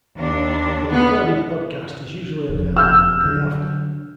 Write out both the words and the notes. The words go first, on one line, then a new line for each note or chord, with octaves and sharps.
The recorded podcast is usually available the day after.
D#2 D4
B3
F1 F2
E6 F6 G6
D3 F#3